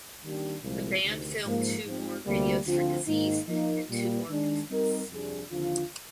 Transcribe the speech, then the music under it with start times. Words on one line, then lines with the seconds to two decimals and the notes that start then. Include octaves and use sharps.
The band filmed two more videos for "Disease" and "Two More Reasons".
0.23 D#3 G3 A#3 D4 G4
0.63 C2 A#2 F3 G#3
1.04 D2 C3 D#3
1.45 G#2 F3 A#3
1.85 G#2 F3 C4
2.26 D2 C3 G3 A#3
2.67 D2 D3 F3 C4 F4
3.07 G#2 D#3 A#3 D#4
3.48 F3 A#3 D#4
3.89 A#2 G3 A#3
4.29 D#3 G#3 D4
4.70 G3 C4 D#4 G4 A#4
5.10 F2 C3 G3 D4 G#4
5.51 D#2 D3 F3 C4 F4